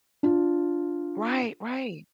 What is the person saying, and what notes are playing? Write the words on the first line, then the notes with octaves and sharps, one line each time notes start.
Right, right.
D4 F4